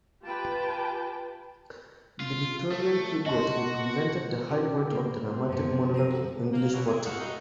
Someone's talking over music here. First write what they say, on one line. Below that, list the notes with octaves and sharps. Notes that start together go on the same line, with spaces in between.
The Victorian period represented the high point of the dramatic monologue in English poetry.
F4 G4 B4 G5 A5
F4
A3
F#4 D#5 A5 C6
C#4 D4 F#4 G4
A#2 A#3
C4
F#2 F3 B3
C4 A#5 D#7
F#4 A4
A#3
B2 F#3
D#3 E4 G#4
C3 A3 F#4 G#4 F5 F#5
G2 D#4 F#4